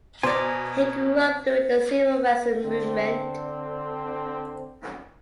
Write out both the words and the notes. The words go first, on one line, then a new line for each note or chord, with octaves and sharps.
He grew up during the civil rights movement.
B2 C5 D5 G#5 A#5
D3 C4